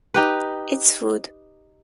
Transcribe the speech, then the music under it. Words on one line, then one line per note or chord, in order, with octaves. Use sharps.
It’s food.
D#4 G4 B4